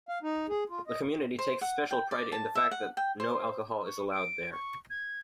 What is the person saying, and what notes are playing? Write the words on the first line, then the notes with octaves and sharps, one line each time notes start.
The community takes special pride in the fact that no alcohol is allowed there.
F5
D#4
G#4
F4
D#5
C5
F#5
G5
D5
A5
E5
F#5
G5
C5
C#6
D7
C#6
G#6